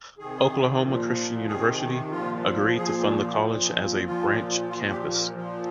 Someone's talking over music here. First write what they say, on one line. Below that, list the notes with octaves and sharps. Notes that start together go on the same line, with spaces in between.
Oklahoma Christian University agreed to fund the college as a branch campus.
C3 D#3 G#4
A#2 F3
C3 D#3 G#4
A#2 F3 F4
A#2 F3 G#4
A#2 F3
A#2 F3 F4
A#2 F3 F4
G4
A#4
A#2 F3